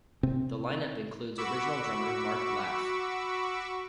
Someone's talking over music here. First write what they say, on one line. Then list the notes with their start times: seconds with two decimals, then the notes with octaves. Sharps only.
The line-up includes original drummer Mark Laff.
0.23 C3 C4
1.38 F#4 B5 C#6 D6 E6